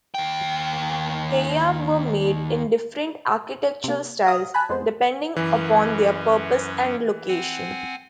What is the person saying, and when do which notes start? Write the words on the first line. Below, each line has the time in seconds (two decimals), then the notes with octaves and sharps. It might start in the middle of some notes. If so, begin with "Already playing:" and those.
Heiau were made in different architectural styles depending upon their purpose and location.
0.15 D#2 G5
3.84 C3 A#3
4.27 F5 D#6
4.54 G#5 A5 B5 F#6
4.69 F2 G#3 B3 C5
5.36 F#2 E3 F#3 C#4
7.28 C4 F#5 G#5